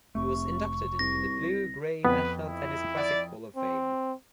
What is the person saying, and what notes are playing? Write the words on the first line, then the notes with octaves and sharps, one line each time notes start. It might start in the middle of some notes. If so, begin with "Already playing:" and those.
He was inducted into the Blue Gray National Tennis Classic Hall of Fame.
F1 C3 A3 C#6
C2 A#6
F2 B3 B4
E4
D5
C4